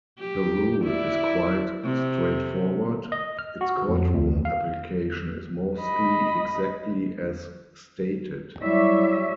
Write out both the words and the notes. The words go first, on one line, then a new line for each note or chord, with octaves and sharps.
The rule is quite straightforward; its court room application is mostly exactly as stated.
G4
E4 D5
C3
D#5
F6
F#4
F2
D2
F5
D#5 B5
F#3 G3 E4 C#5 D5 E5 D6